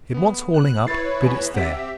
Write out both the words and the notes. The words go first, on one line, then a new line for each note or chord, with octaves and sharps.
It wants hauling up, but it's there.
B3
F#6
E4 B4 C#5 A6 C7
E2 G#5
C4 G4 E5 F#5 B6